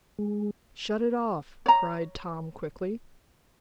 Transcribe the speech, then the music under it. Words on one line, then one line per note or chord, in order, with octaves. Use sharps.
"Shut it off!" cried Tom quickly.
G#3
C#5 A#5